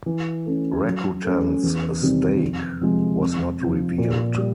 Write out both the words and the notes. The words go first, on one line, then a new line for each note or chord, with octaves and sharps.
Rakuten's stake was not revealed.
E3
A3 C#4
F#3
A3 C#4
E2
C3 D#3 G3 C4
F2
C3 F3 G#3
F2
C3 F3
A#2
G3